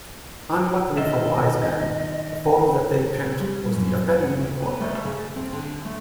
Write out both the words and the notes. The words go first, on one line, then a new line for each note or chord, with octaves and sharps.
Unluckily for Wisden, the photo that they picked was the offending photograph.
D#3 F4 D#5 E5
C4
G3
F#2
F#5
D2
B3
A3
C#3
A4
C4
D3
A3